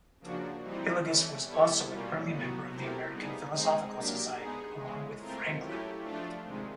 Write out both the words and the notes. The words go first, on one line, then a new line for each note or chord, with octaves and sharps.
Hillegas was also an early member of the American Philosophical Society, along with Franklin.
C#3 F3 A#3 D4 F#4
E3 G3 C4 D#4
E3 A3 C#4
G3 B3 E4 A4
B2 G3 A#3 C#4 F4
A2 F#3 B3 D#4 F#4
A3 C4 E4 G4 A#4
G3 B3 D#4 G#4
G#3 C4 D#4 G#4
F#3 A#3 D4 G4 A#4
G#3 B3 D#4 G#4
C#3 E3 G#3
A3 C4 F4 A#4
F#3 A3 C#4 E4 G4
F3 A3 D4 F4
C3 D#3 G#3